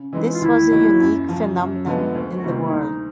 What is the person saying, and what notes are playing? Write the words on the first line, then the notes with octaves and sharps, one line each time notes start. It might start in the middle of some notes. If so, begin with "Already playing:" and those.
This was a unique phenomenon in the world.
Already playing: C#3
E3 G#3 C4 D#4
F4
D#2 E4
D#3 F#3 A#3
F#2
C#3 F3
F#2
D3 F3 G#3 B3
D2
F#4
C3 D#3 G3 A#3 F4
E4
D2 D#4